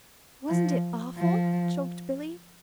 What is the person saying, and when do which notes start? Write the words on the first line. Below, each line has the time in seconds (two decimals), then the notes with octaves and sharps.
"Wasn't it awful!" choked Billy.
0.49 F3
1.17 F3